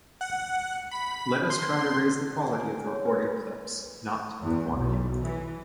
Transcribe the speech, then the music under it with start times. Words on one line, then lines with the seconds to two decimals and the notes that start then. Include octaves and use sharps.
Let us try to raise the quality of the recorded clips, not the quantity.
0.21 F#5
0.91 B5
1.50 C6
2.53 G#5
2.87 C#5
3.06 B4
4.44 E2
4.75 B1
5.24 E3